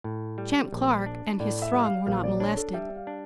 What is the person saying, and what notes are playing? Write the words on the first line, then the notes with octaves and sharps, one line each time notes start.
Champ Clark and his throng were not molested.
A2
G3
A#1
D4
A2 D5
E5
G3
F5
A#1 F5
D5
D4 C#5
A4
G3 E5
F5
D4